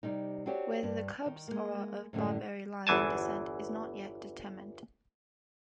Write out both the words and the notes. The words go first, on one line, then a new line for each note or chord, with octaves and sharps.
Whether the cubs are of Barbary lion descent is not yet determined.
C3 G3 D#4
C4 D4 F#4 G4 C#5
G2
D#3
G#3 A#3
F#2 A2 D3 G3
G1 E2 E3 G#5 A5